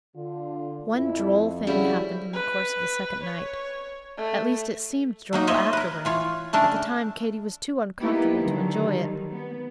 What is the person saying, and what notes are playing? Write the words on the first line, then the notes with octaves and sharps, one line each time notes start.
One droll thing happened in the course of the second night,--at least it seemed droll afterward; at the time Katy was too uncomfortable to enjoy it.
D3 F4
F2 E4
C#3 G3 E4 F#4
B4
C#5
A3
F#3 A#3 D#4
F4 C5 C#5 D#5 E5
A#4 B4
E3 F4 C#5
C#3 A3 D4 A#4
A#3 B3 D#4 E4 G4 B4
D3 D#3 F#3 G3
B3